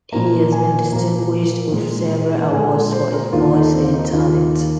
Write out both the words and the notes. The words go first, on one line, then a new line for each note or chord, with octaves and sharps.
He has been distinguished with several awards for his voice and talent.
A#2 F3 A#3 A#5
G#5
A#2 F3 A#3 A#5
A#2 G#3
A#2 G#3 G#5
C5
A#4
D#2 D#3 A#3 F4
D#4
C4
D#4
D#2 D#3 A#3 F4